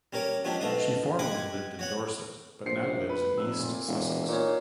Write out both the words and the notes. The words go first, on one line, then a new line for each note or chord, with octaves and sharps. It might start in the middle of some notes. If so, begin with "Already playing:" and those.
She formerly lived in Dorset but now lives in East Sussex.
G3 C#4 A#4 C#5 D6
F3 F#3 G#3 C#4 D4 G4
G#2 B2 A3 D4 F5 D#6
G4 G#4 D#5 F#5 G#5 D6
F#4 C#5 F#5
A#1 C5 C7 C#7
B4
F1 E6
A#2
E1
A#2 D#4 C#5